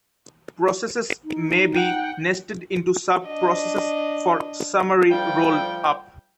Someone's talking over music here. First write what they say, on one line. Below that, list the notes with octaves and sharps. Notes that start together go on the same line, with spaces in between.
Processes may be nested into sub-processes for summary roll-up.
D#4
F#5 G5
D4 D#5
D2 F3 G3 G5